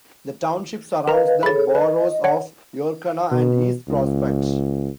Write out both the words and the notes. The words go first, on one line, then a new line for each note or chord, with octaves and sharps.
The township surrounds the boroughs of Yorkana and East Prospect.
A#4 B4 D#5 F5 A#5
G#4 A4 C#5 B5 A6
B4 D#5
C#5 F#5
B2
C#2